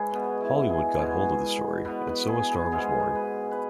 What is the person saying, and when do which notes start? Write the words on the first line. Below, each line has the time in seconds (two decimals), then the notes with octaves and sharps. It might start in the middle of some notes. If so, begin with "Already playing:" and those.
Hollywood got hold of the story, and so a star was born.
Already playing: G#2 G#3 G#4 B4 C#5
0.12 B2 B3
0.41 E4
0.69 G#4
0.98 B2 G#3 B3 G#4
1.85 B2 B3 B4
2.07 B4
2.28 G#4
2.51 G#4
2.72 G#2 G#3 B3 G#4
3.15 B4
3.51 B4